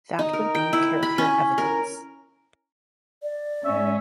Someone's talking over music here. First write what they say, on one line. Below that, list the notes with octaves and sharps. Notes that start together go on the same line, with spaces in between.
That would be character evidence.
D#4
A#4
G5
E4
B5
C#4
A#4
D5
G#2 C#4 E5